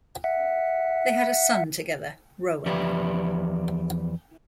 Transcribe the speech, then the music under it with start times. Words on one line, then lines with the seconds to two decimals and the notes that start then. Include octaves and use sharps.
They had a son together, Rowan.
0.24 E5 F#5
2.66 E2 F3 G4 B4 D5 E5